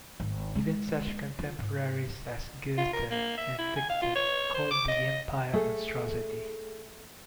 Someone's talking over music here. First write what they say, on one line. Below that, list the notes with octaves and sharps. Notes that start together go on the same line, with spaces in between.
Even such contemporaries as Goethe and Fichte called the Empire a monstrosity.
G#1
G#3
F4
G#2
F4
A#4
A#3
E5
E4
G#5
F5
F4
C#5
C5
D6
D#5
A3 G#4 A4